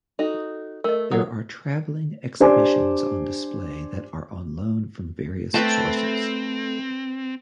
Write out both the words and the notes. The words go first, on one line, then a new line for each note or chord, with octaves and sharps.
There are traveling exhibitions on display that are on loan from various sources.
D#4 F#4 A4
A3 A#4 D#5
F#3 A4 F#5 D#6
D4 G4 C5 D5 G#5 D6
A3 C4 B4 E5 G5 A5